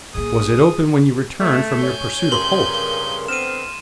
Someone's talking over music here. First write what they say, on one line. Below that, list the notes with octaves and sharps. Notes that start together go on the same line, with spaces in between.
'Was it open when you returned from your pursuit of Holt?'
A1 A#3 G#4 D#6
A3
C#5 G#5 G6
G2 C#3 A#4 C6 F#7
D3 B3 C4 F6 D#7 E7